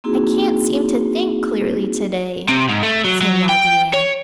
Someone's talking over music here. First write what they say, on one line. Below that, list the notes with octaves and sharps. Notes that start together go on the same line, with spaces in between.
"I can't seem to think clearly to-day," said Raggedy Ann.
A#3 C4 D#4 E4 F#4 G#4
C3
G#2
A3
F#3
F#3
G5
C#5